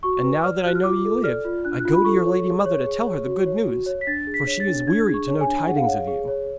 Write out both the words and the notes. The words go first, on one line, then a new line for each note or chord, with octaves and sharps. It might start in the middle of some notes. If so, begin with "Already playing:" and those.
And now that I know ye live, I go to your lady mother to tell her the good news, for she is weary to know tidings of you.'
F#4 C#6
B4
D5 F6
F#4 F#6
F6
F4 D6
A4
D5 F6
F4
D4 F#6
F6
F#6
F4
B5
A4 C#6
C#5
G#4
C#5
G#4
C#5
F#4
C#5
F#4
C#5
B6
D4 A6
G#4
B6
C#5
A6
D4
D4 G#6
G#4
C#6
C#5
G#5
D4
G#4 F#5
F5
C#5 F#5
F5
G#4
C#5